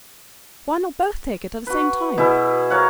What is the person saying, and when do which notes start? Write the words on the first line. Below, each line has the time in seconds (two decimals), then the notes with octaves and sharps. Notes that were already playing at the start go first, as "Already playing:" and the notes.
"Why not both take it at the same time?"
1.67 F#4 B4
2.18 B2 B3 E4 G#4
2.70 A#4 C#5 F5 F#5